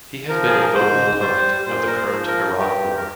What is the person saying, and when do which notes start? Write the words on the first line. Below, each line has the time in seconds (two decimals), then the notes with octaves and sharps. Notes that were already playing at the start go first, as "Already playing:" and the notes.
He has been a vocal opponent of the current Iraq War.
0.29 F3 A#4
0.47 G#4
0.61 A#4
0.74 G#2 C5
1.20 G3 C5
1.66 A#2 C5
1.87 A#4
1.97 C5
2.12 F3
2.27 A#4
2.58 G2 G4
2.96 A#4